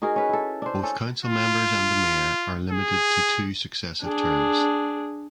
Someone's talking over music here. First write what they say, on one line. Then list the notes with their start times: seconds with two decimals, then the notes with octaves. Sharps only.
Both council members and the mayor are limited to two successive terms.
0.02 D#4 F#4 G#4 A#4
0.16 C#4 B4
0.29 E4 A4
0.62 D4 C5
0.83 C#4 A4
1.25 F4
2.70 G#4
4.02 D4 G#4